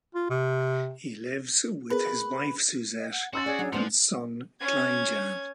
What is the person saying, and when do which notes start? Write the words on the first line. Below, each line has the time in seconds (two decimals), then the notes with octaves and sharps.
He lives with his wife Suzette and son Klein Jan.
0.15 F4
0.30 C3
1.90 B3 G#4 A#4 B4
2.98 D#5
3.12 F#5
3.33 C#4 F#4 C6 E6 A6
3.46 G#4 D5
3.59 F#3 D4
3.73 F3 G#3 B3 D4 C5 C#7
4.60 C#4 G#6